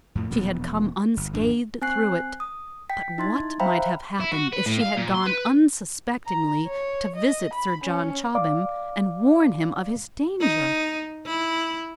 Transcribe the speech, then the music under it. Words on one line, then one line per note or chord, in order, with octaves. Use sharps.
She had come unscathed through it, but what might have happened if she had gone unsuspectingly to visit Sir John Chobham and warn him of his danger?
F2 A2
E1 A#2 F3 B3
G1
G#1 F2 D4
C4 G#5 F#6 C7
D#6
G5 B6
D#4 E4 C6 G#6 A6
C5 E5 F5 G5 A#5 B5
E4
F#4
B4
A2
F5
A#2
C6
B4
A#5
C#5
D#5
B5
C#4
D5 F5 D6
D#4
E4